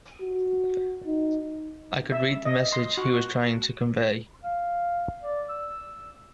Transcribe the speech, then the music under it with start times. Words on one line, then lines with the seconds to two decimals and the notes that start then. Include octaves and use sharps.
I could read the message he was trying to convey.
0.21 F#4
1.06 D#4
2.12 E5
2.45 D#5
2.72 C6
2.97 F#4
4.44 F5
5.23 D5
5.49 E6